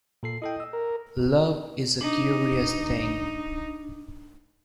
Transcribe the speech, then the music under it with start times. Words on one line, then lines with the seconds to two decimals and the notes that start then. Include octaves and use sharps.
Love is a curious thing.
0.23 A#2 A4 C7
0.42 E4 A4 D#5 G5
0.60 E6
0.73 A#4
2.01 D4 D#4